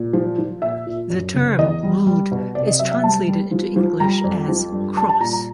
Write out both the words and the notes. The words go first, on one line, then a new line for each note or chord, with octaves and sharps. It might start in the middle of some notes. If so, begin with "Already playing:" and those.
The term "rood" is translated into English as "cross".
Already playing: A#2
F3
F3
A#2 E5
A#2
F#2
C#3
E2 D#5
G3
G3
B2
C3 D5
D#5
F#3 E5
E5
G3 A5
G3
F3
F3
G3 A#5
F2
F3
G2
G3 A5
A5
A#2 A#5
A#5